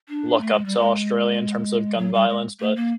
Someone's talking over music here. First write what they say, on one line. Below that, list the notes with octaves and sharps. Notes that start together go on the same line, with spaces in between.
look up to Australia in terms of gun violence, but
D4
A3
G#3
G3
G#3
F#3
G3
G#3
A3
A#3